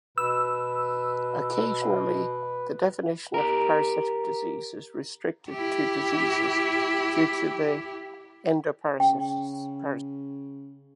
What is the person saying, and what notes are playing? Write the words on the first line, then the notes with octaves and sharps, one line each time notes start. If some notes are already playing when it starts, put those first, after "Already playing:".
Occasionally the definition of "parasitic disease" is restricted to diseases due to endoparasites.
B2 B4 E6
G4 A#4
E4 G4
C#3 G5